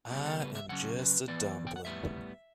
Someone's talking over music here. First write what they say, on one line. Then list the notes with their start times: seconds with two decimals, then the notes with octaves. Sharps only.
I am just a dumpling.
0.11 C#3 G3 B3 G4
0.26 A4
0.40 B4
0.55 E5
0.69 C#3 F#3 C#4 F#5
0.99 B4
1.28 E3 B3 D5
1.67 G5
1.76 F#5
1.85 A2 G3 B3 E5